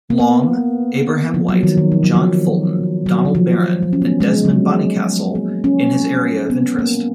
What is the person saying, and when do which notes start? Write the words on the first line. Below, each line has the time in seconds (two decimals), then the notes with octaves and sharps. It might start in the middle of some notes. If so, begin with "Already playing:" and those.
Long, Abraham White, John Fulton, Donald Barron and Desmond Bonnycastle-in his area of interest.
0.10 A#3
0.20 B3
1.34 F3
1.49 F#3
1.63 D#3
1.77 D#3
1.92 F3
2.04 F#3
2.15 F3
3.06 F#3
3.25 F#3
3.35 F3
3.83 F#3
3.93 C#4
4.02 B3
4.20 G#3
4.45 F#3
4.50 G#3
5.35 A#3
5.64 C#4
6.50 B3
6.79 A#3